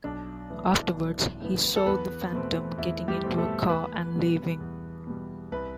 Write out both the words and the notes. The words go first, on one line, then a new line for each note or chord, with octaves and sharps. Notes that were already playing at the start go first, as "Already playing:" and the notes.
Afterwards, he saw the Phantom getting into a car and leaving.
B1 D4
A2 E3 B3
B1
A2 E3 B3
A4
E2 B3 B4
B2 A3 C4
E2 E4
G3 G4
B2 A3 C4
A3 A4
E2 B3 B4
B2 G3
E2
B2 G3
C2 B4